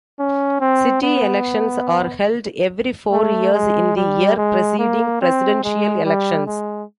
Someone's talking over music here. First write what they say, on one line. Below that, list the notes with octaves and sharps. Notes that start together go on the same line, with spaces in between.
City elections are held every four years in the year preceding presidential elections.
C#4
C4
B3
A3
G#3
G3
G#3
A#3
C4
G#3
G3
G#3